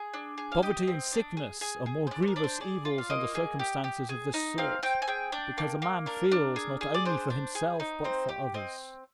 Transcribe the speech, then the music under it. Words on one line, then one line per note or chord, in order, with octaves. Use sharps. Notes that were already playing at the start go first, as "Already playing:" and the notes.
Poverty and sickness are more grievous evils under circumstances of this sort; because a man feels not only for himself, but for others.
Already playing: G#4
D4
G#4
F5
G4 D#5
C4
D4
G#4
G#4
G#4
C5
D4 D5
C5
A#4
D4 D5
C5
G#4 D5
F4
F5
A#3 D#5
G#4
G4
G4
G#4
D#4
C4 F5
C4 G5
G#5
G#4 G5
D4
A#3
A#3
D4 A#4
D4
G#4
G#4
D5
D4 C5
D4
G#4
D#4
C4 C5
G4
C4 D#5